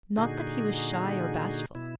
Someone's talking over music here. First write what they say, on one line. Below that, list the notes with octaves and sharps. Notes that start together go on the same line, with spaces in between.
Not that he was shy or bashful.
A#2 D3 D#4 F#4 G#4
B2 E4